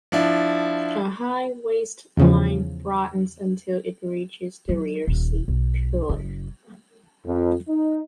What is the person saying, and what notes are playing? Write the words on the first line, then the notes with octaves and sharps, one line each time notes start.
A high waistline broadens until it reaches the rear "C" pillar.
F3 D4 E4
E2 C#3 F3
F#3
D#1
B1
F#1
F2
D#4